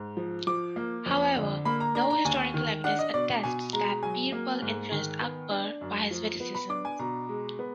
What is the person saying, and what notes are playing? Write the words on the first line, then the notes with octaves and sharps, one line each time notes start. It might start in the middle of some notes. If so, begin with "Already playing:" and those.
However, no historical evidence attests that Birbal influenced Akbar by his witticisms.
Already playing: G#2
F3
F3 D6
A#3
F2
D3
A#3 B5
A#5
D4 A#5
A#5
D#2 G#5
D#3
D4 F#5
D#5
B2 D5
B2 G#5
G#3 A#5
F#3 G#5
A#3
G#2
D#3
B3
D4
F#2
F3
B3
B5
D4 D6
G#5
B2 A#5
G#3
B3